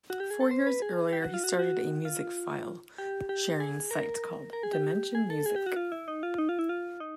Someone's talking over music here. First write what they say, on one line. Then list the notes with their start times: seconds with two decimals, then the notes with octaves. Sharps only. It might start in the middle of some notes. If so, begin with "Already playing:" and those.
Four years earlier, he started a music file-sharing site called Dimension Music.
0.10 F#4
0.20 G4
0.31 G#4
0.40 A4
0.51 C5
0.67 B4
0.82 G#4
1.13 G4
1.23 F#4
1.34 F4
1.44 F#4
1.59 F#4
2.05 F4
2.98 G4
3.29 G4
3.60 G#4
3.91 A#4
4.53 A#4
4.63 G#4
4.73 G4
5.15 G#4
5.30 A4
5.46 G#4
5.56 G4
5.66 F#4
5.76 F4
5.92 E4
6.08 D#4
6.23 F4
6.38 D#4
6.49 F4
6.59 E4
6.69 F4
7.00 D#4